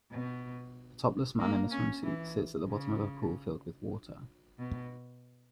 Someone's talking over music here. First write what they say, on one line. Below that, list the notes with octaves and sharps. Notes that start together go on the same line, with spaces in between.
A topless man in a swimsuit sits at the bottom of a pool filled with water.
B2
A#3
C#4
E3
C#3
B2